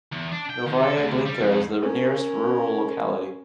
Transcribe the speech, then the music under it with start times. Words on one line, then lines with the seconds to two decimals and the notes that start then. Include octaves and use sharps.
Novaya Glinka is the nearest rural locality.
0.12 E2
0.32 D4
0.50 G5
0.67 D#3
0.83 A4
0.97 D2
1.26 G3
1.41 F2
1.82 C#4 A#4